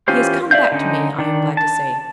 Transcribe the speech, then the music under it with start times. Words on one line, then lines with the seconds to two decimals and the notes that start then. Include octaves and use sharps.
He has come back to me, I am glad to say.
0.08 E3 C#4 F4 G4 C5
0.51 D5 E5 F5 G6
0.72 D3 C#4 D#4
1.19 D#3 D4
1.57 A5